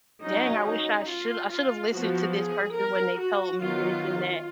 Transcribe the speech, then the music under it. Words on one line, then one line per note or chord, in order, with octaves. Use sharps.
"Dang, I wish I should I should have listened to this person when they told me this and that,"
F#3 C#4 D#4
D#4
F4
F4
F3 B3 F#4
G#4
A#4
F#4
D#3 F#3 B3 F4